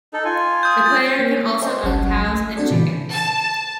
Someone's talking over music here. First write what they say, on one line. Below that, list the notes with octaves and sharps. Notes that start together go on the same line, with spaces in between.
The player can also own cows and chickens.
D#4 A4
F4 G#5
D#6 G6
A6
A#3
C5 C#5 D#5 G5 G#5 C6
G1 C2 F#3 C#4 F#5 A5
A3
C4 D4 F#4 A4 D5
A#2 C#3 E3
A5